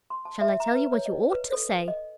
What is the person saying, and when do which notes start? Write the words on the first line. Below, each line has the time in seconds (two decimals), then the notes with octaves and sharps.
"Shall I tell you what you ought to say?"
0.10 C6
0.25 A5
0.41 E5
0.60 A#5
0.75 B4
0.92 C#5
1.06 D#5
1.32 B4
1.53 A4
1.70 G#5
1.88 D#5